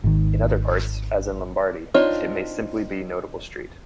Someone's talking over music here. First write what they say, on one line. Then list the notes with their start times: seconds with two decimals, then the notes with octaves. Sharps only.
In other parts, as in Lombardy, it may simply be a notable street.
0.04 G#1 D#3
1.94 C4 D4 D#4 F4 C#5